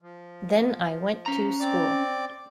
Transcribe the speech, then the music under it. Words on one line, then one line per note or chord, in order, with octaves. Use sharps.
Then I went to school.
F3
C#4 A#5
C4 D5 D6